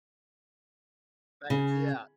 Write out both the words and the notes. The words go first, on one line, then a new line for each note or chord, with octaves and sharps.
Right, yeah.
C#3